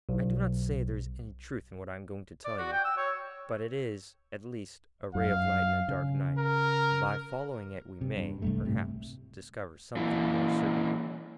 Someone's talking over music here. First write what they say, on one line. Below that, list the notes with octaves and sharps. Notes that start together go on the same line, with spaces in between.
"I do not say there is any truth in what I am going to tell you, but it is, at least, a ray of light in a dark night; by following it we may, perhaps, discover something more certain."
B1
D5
F#4
G5
E6
C#5
F#2 F5
C#3
A#4
C3
G2
C2 G2 A3
A2 C3
A#2 E3